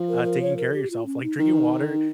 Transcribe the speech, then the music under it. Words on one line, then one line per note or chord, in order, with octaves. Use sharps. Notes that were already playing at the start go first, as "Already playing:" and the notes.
uh, taking care of yourself. Like drinking water.
Already playing: F3
A#4
A#4
C#5
A#4
G4
F4
C#4
D#4
D#3 D#4